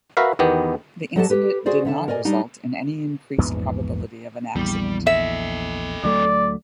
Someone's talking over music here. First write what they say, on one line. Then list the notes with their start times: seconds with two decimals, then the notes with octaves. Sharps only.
The incident did not result in any increased probability of an accident.
0.17 F#4 A#4 B4 E5 F5
0.39 E2 D#3 B3 G4
1.16 F#3 G4 A4 D#5 F#5 A5
1.30 G4 B4
1.66 F#4 G#4 C5 D5
1.85 D3 E5 A5
2.08 A#4 D5 D#5 G#5
2.25 G3 D4 D#4
3.38 A#1 E2 G#2 B3
4.56 A#1 E2 G3
5.07 A4 D#5 E5
6.04 D2 F#3 A3 D5